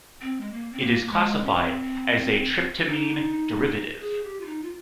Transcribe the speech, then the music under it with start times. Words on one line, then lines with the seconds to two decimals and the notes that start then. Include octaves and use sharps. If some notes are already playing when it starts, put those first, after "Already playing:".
It is classified as a tryptamine derivative.
0.21 C4
0.41 G#3
0.52 A#3
0.73 C4
0.81 A#3
1.11 G#3
1.44 C#4
1.56 C4
2.89 D#4
4.00 G#4
4.24 G4
4.41 F4
4.45 D#4
4.63 F4